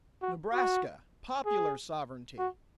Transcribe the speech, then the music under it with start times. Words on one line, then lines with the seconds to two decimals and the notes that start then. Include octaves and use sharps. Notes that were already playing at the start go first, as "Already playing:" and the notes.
Nebraska--Popular Sovereignty.
0.22 F#4
0.53 F#4
1.45 G#4
2.38 F#4